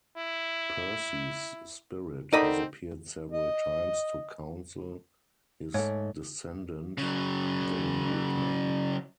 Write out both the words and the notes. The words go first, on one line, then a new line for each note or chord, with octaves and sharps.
Percy's spirit has appeared several times to counsel his descendant, Dane Whitman.
E4
C4 D#4 A4 A#4 D5 D#5 F#5 B5
D#5
G#2 A3 C#5
C#3 F#3